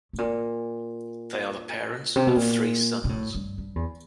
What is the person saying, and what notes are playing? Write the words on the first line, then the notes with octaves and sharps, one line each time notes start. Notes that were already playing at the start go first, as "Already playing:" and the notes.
They are the parents of three sons.
A2
A#2
C3
B2
A#2
A#2
A2
G2
G2
E2